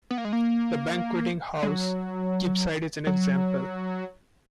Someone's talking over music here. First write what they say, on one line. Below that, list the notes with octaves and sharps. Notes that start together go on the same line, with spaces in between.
The Banqueting House, Gibside is an example.
B3
A#3
G#3
A#3
G#3
F#3
F#3